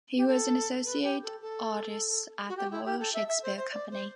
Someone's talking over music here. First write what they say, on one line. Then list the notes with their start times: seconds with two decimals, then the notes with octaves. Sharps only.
He was an Associate Artist at the Royal Shakespeare Company.
0.17 G4
0.27 A4
0.85 B4
1.03 G4
1.23 A4
1.42 A4
2.49 F#4
2.57 G4
2.71 E4
2.85 G4
2.99 A4
3.14 E5
3.28 E5
3.43 C5
3.57 C5
3.72 D5
3.91 C5